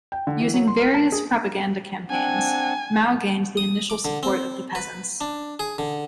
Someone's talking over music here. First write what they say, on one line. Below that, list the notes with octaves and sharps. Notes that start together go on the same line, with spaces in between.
Using various propaganda campaigns, Mao gained the initial support of the peasants.
G5
D3
E3
F#3
C6
A#4
A5
G#4
C4 D4 F#5 G#5
D#6
D6
D3
C4
B4
D4
G#4
D3